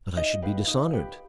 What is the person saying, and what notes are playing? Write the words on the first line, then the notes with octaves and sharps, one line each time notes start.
"But I should be dishonoured."
D#4 D#5
G4 B4 F5
D#4
G4 B4